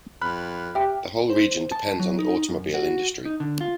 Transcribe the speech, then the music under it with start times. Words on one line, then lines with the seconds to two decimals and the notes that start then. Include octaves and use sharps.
The whole region depends on the automobile industry.
0.22 F2 B5 F6 F#6
0.75 G4 E5 G5
1.30 C5
1.72 A5
2.00 F#3
2.19 D#4
2.49 F#2
2.74 F#4
3.25 D#4
3.40 D3
3.61 F4